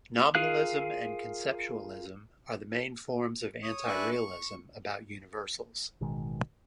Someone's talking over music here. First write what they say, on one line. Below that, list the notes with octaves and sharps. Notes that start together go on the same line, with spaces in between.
Nominalism and conceptualism are the main forms of anti-realism about universals.
F4 G#4 A#4 F5 F#6
C#5 D#6
D4 B4 E5 G#5 C#6
C#6
A1 B2 D#3 G#3